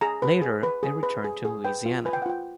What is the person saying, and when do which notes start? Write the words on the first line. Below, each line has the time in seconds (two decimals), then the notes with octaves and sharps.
Later they returned to Louisiana.
0.01 G#4 A#5
0.22 B4
0.42 G#4
0.63 B4
0.83 G#4
1.03 B4
1.24 G#4
1.45 G#4
1.64 B4 G5
1.86 F4
2.06 B4 G#5
2.13 G5
2.22 F#5
2.26 F4 G5